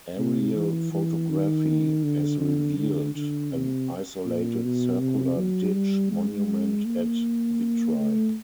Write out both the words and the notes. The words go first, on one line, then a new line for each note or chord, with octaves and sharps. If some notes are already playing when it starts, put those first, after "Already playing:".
Aerial photography has revealed an isolated circular ditch monument at Vitry.
C3
E3
E3
D#3
D3
D3
D3
D3
C3
A#2
B2
C3
F#3
G3
G#3
A#3
A3